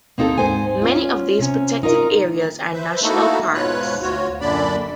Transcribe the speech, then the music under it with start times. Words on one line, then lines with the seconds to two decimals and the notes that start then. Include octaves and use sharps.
Many of these protected areas are national parks.
0.18 A#3 C4 D#4 G#4 A4
0.38 G#2 C5 G#5
0.82 C#4 F4
1.39 C3 C#4
1.83 D#4 F4 A#4 D#5
2.73 B4 C5 E5
3.02 A3 A#3 D#4 E4 F#4 A4
3.54 G#2 B2 F4 B4 C#5 F#6
4.02 D2 F4 F#4 C#5
4.41 F#2 A#2 D3 D4 D5 B5